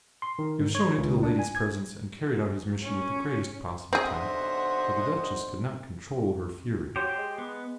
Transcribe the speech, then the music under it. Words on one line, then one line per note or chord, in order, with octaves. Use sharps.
He was shown into the lady's presence and carried out his mission with the greatest possible tact, but the Duchess could not control her fury.
C6
D#3
G#2
C#5
C#2
D4
G#5
G#6
C#4
B1 D3 C4 G#4 C5 D#5 E5 F#5
F#3 G4 C5
G#3
B3